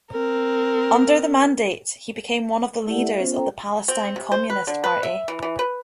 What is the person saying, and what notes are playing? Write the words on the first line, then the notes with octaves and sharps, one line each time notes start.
Under the Mandate he became one of the leaders of the Palestine Communist Party.
C4 A#4
A3 E4 G4 A4 D5 F#5
E5
B3 C#4 F4 C5
C#4 A4 C5 G5 A#5
C4
C3
C5
B4
D3
B4
E5
E3
E3
B4